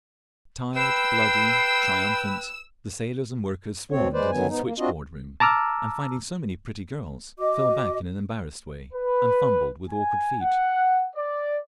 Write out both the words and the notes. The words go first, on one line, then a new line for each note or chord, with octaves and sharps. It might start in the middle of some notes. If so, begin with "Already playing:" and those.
Tired, bloody, triumphant, the sailors and workers swarmed into the switchboard room, and finding so many pretty girls, fell back in an embarrassed way and fumbled with awkward feet.
B4 G5 E6 C7
D2 B2 C4 C#5
G#3 B4 C5 D5
F#2 D3 D#3 F#3 B3 G#5
G#2 B3 D#4
A#3
C4 D4 F4 F#4 D#5
A5 A#5 D6 E6 F6
F#4 D#5 D6
B4
G#5
F#5
D5